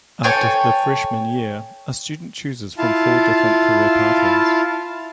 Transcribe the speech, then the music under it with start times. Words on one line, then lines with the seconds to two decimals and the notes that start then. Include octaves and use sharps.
After the freshman year, a student chooses from four different career pathways.
0.23 A4 C#5 G5 G#5
2.78 E4 F4 F5 A5